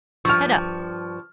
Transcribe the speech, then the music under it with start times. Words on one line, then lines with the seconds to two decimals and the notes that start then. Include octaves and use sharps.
Head up!
0.25 G2 F3 C#6 F6